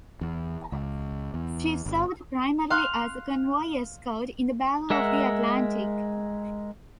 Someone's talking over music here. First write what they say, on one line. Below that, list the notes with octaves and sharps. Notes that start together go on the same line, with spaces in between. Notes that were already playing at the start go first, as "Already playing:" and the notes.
She served primarily as a convoy escort in the Battle of the Atlantic.
E2
C#2
E2
G1
F5 C6 F#6
G#3 A#4 E5 F#5